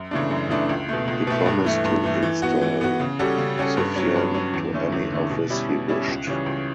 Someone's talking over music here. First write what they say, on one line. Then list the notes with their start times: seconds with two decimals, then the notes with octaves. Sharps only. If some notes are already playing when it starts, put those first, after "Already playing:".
He promised to install Sufyan to any office he wished.
Already playing: F#2
0.11 C#3 E3 A3 D4
0.31 F#2
0.49 C#3 E3 A3 D4
0.69 C#2
0.89 B2 A3
1.08 C#2
1.27 B2 A3
1.46 G2
1.65 E3 A3
1.85 G2
2.03 E3 A3
2.23 E3
2.42 B3 F#4
2.62 E3
2.81 B3 F#4
3.00 C#3
3.19 G3 C#4 F#4 A4
3.38 C#3
3.58 G3 C#4 F#4 A4
3.77 G2
3.96 F#3 C#4
4.16 G2
4.34 F#3 C#4
4.54 E2
4.73 D3 A3 C#4
4.92 E2
5.12 D3 A3 C#4
5.31 B2
5.50 G3 C#4 E4
5.69 B2
5.88 G3 C#4 E4
6.08 C#2
6.27 C#3 E3 G3 C#4
6.46 C#2